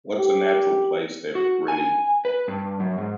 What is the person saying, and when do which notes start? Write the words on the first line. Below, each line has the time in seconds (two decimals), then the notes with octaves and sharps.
What's a natural place that really
0.18 G4
1.35 F#4
1.68 G#5
2.25 B4
2.48 G2
2.80 F#2
2.98 G#2